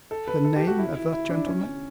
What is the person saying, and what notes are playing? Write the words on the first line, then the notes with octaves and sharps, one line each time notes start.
"The name of that gentleman?"
A4
B4
A4
G4
F#4
E4
E4
E4
D4
C#4
C#4